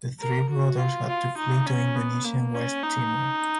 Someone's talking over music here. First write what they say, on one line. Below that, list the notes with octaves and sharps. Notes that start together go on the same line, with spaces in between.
The three brothers had to flee to Indonesian West Timor.
A#4
F#4
F4
F4
D#4
C#4
B3
A#3
C#4
D#4